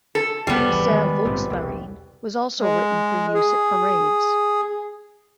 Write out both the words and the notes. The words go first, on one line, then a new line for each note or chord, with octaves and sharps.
"Unsere Volksmarine" was also written for use at parades.
A4
F1 C#2 G3 B3
G#1 E2
D#3 G#3
A#1 G#2 C3
E1 C2
G#3
G#4